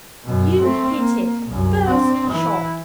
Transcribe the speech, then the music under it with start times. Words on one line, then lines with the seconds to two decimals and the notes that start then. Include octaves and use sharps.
You hit it first shot.
0.24 F#2 B2
0.60 A3 C4
0.94 A#3
1.46 C2 F#2
1.88 C4 D4
2.30 E3 E4